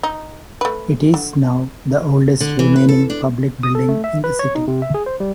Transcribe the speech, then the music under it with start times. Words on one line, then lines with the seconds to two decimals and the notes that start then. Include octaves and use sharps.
It is now the oldest remaining public building in the city.
0.03 D#4
0.61 A3 B4
1.14 D3
2.40 D3
2.59 E3
2.76 B4
2.89 A4
3.10 D4
3.63 D#6
3.75 A4
3.89 A3
4.04 E5
4.24 B4
4.39 C#5
4.55 D#4
4.68 C3
4.82 E5
4.94 G#4
5.06 C5
5.20 G3